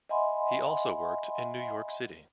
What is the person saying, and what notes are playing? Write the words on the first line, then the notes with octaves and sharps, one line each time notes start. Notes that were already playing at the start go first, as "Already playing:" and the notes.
He also worked in New York City.
D#5 E5 F#5 G#5 B5 C6